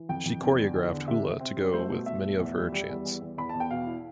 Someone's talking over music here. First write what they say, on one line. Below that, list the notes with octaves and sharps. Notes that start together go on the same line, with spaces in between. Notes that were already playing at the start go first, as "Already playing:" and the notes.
She choreographed hula to go with many of her chants.
Already playing: E3
F2 G5
F2
E2
D3
E2
D3
C3 E5
C3
C4
G3
A3 C5
B2
B2 E5
A3
E2
G3
G3
E2
E2
E2
E2 B5
E2 A5
G5
B2 F5
E4